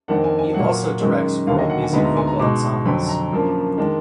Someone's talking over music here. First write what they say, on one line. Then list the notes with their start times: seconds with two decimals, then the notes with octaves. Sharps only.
He also directs world music vocal ensembles.
0.08 F2 D#3 A#3 D4 F#5
0.24 G#5
0.39 G#5
0.54 A#2 F#3 A#3 F#5
1.00 F#2 D#3 G#3
1.47 D#2 D3 F#3 A#3 F5
1.59 D#5
1.70 F#5
1.82 G#5
1.93 D2 D3 G#3 B3 D#4 B5
2.05 A#5
2.17 G#5
2.27 A#5
2.39 B2 G#3 D#4 D6
2.85 F2 D3 F#3 B5
3.08 A#5
3.32 F#2 F3 A#3 D4
3.78 D#3 G#3 D4